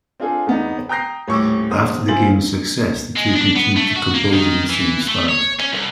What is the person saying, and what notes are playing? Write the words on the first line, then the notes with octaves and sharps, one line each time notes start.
After the game's success, the two continued to compose in the same style.
C4 D4 F4 G#4 A4
E2 B3 D#4
G5 A#5 D#6 G6 A#6 C7
D#1 A2 C#5 C#6 D6 E6
E2 C5 D#6
E4 F4 G#4 C5 A6 F#7
G#3
D4
B3
A3
F#4
A#3
D#3
E3
A3
C#5
C#4
C2